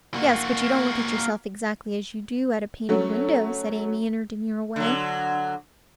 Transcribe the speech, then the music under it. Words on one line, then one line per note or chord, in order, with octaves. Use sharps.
'Yes, but you don't look at yourself exactly as you do at a painted window,' said Amy, in her demure way.
A#3 F#4
F#3 A3 C#4
D3 F#3